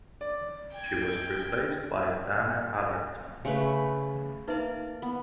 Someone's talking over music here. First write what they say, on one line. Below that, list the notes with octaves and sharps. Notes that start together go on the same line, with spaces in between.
She was replaced by Dana Allerton.
D5
G5 G#6
C#3 A3 B4
A#3 D#4 B4 D5 E5
B3